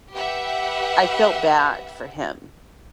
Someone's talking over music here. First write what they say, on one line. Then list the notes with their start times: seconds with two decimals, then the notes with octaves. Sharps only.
I felt bad for him.
0.14 G4 B4 E5 F#5